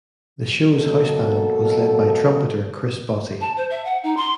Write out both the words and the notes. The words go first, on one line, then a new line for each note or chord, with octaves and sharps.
The show's house band was led by trumpeter Chris Botti.
B2 F#3 A#3 A4
A5
C5
E5
F#5
D#4
C6